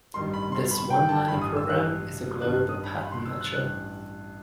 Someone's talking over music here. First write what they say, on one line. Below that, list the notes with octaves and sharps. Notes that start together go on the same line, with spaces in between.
This one-liner program is a glob pattern matcher.
A1 G2 D#3 G3 C6
B5
C6
B5
G5
A5
A1 G2 E3 G3 B5
D#6
E6
F#6
A1 G2 D#3 G3 F#6
D#6
B5
B5
C6
E6
F#6
A1 G2 E3 F#6